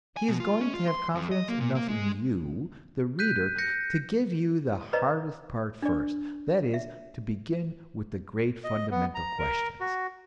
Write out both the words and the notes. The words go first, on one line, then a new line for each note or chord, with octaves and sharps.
He is going to have confidence enough in you, the reader, to give you the hardest part first; that is, to begin with the great fundamental questions.
G#5
B2
F4
C#4
F4
C6
F2
D#5
A#3
A#2
A#3
G#3
F#6 G6 B6 D#7
G6 A#6 C#7
B4 C5 D5 D#5 A#5
D4 D5
E5
D#5
B3
A#5
A#4
F#4